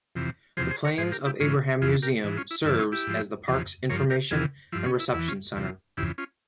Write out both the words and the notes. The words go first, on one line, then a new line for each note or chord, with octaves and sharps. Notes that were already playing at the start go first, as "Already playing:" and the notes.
The Plains of Abraham Museum serves as the park's information and reception centre.
F2 C3 E3
E2 C3 F3 G#4 C5
G#4 C5
A#4 C#5
G#2 F3 G#4 C5
G4 A#4
E4 G4
G#2 E3 C#4 F4
F2 E3 F4 G#4
G4 A#4
G#2 E3
C#4 F4
E4
G2 E3 E4
C#4 F4
E4 G4
G#2 F3
E2 C#3 F3
G2 F3 A#4 C#5
G4 A#4
E2 C3 E3 F4 G#4
G2 F3 E4
C#4
E4
E2 E3 E4
C#4 F4
E2 C3 F3
F2 C#3 E3 E4 G4
C#4 F4